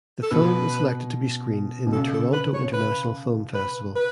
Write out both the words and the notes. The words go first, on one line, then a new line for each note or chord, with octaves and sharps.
The film was selected to be screened in Toronto International Film Festival.
A4
B2 B4
B2
C#3 A4
A4
B4
C#5
B4
B4
B4